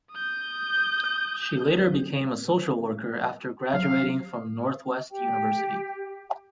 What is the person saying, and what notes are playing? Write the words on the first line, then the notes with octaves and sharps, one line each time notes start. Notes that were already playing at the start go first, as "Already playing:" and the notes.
She later became a social worker after graduating from Northwest University.
D#6 G6
F#3 F5
G4 G5